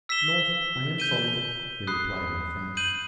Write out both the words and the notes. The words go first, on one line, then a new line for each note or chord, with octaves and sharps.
"No, I am sorry," he replied in French.
E6 B6 E7 G7
G6 D#7 G7
B5 D#6 F#6 C7
G6 D#7 F#7